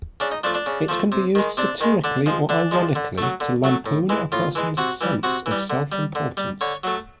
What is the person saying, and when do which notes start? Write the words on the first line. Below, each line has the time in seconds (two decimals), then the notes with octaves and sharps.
It can be used satirically or ironically to lampoon a person's sense of self-importance.
0.20 C#3 D4
0.32 D#4
0.44 F3 A3 D4
0.54 D4
0.66 C#3
0.89 F3 A3
1.12 C3
1.35 D#3 G#3
1.57 C3 D4
1.81 D#3 G#3
2.04 D3 D4
2.26 F3 G#3
2.49 D3 D4
2.71 F3 G#3
2.96 D3
3.18 F#3 A3
3.40 D3
3.64 F#3 A3
3.86 A2
4.09 E3 G#3
4.32 A2 F4
4.55 E3 G#3
4.77 C3 F#4
5.01 E3 G3
5.23 C3 F#4
5.46 E3
5.51 G3
5.70 D3
5.92 G3
6.15 D3
6.37 G3
6.61 D3 C#5
6.84 F#3 A3